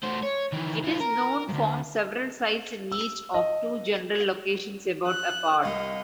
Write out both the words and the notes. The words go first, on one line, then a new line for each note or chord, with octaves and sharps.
It is known from several sites in each of two general locations about apart.
A3 C5
C#5
D#3 E3
E3 F4
A#4
D2 G2
E6
D#5
F#6
C2 D#5 F5